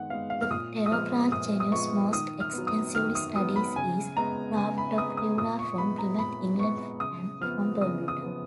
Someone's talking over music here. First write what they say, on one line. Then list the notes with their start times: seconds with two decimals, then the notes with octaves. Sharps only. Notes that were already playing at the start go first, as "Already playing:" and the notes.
The Pterobranch genus most extensively studied is "Rhabdopleura" from Plymouth, England and from Bermuda.
Already playing: D#3 G#3 B3 F#5
0.10 G#3 B3 F5
0.30 F5
0.41 F6
0.50 A#2 D#6
0.86 D#6
0.91 F3 G#3 B3 F6
1.32 A#2 D#6
1.60 D#6
1.72 F3 G#3 B3 C#6
2.13 D#3 D#6
2.40 F6
2.53 F#3 B3
2.67 D#6
2.95 D#3 F6
3.15 D#6
3.35 F#3 B3 D#6
3.56 B5
3.76 C#3 G#5
4.17 G#3 B3 A#5
4.56 C#3 G#5
4.78 B5
4.97 G#3 B3 D#6
5.17 D#6
5.37 A#2 D#6
5.59 C#6
5.78 G#3 B3 B5
5.98 A#5
6.19 A#2 B5
6.59 G#3 B3 C#6
7.00 C#3 D#6
7.41 F3 B3 F6
7.81 C#3 D#6
8.08 D#6
8.23 F3 B3